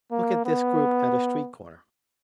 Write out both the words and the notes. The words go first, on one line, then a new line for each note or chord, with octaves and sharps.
Look at this group at a street corner.
A#3
B3